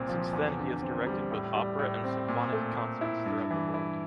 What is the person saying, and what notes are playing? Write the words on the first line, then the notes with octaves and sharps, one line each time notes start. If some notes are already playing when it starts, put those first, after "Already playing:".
Since then he has directed both opera and symphonic concerts throughout the world.
Already playing: C2 A#2 C4
F3
E2
D3
C4
G3
A2
G3
A2
C4
A#2
A3
A#2
E4
G2
E3
E4